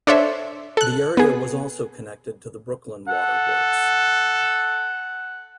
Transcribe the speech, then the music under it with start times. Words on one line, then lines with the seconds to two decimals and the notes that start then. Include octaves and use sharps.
The area was also connected to the Brooklyn waterworks.
0.07 D4 A4 C5 C#5 E5
0.77 A4 F#6
1.17 B3 G#4
3.08 A4 F#5